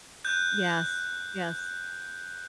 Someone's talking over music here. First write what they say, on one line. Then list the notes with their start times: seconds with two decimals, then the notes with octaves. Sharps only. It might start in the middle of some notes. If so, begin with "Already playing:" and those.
Yes, yes.
0.25 F#6 G6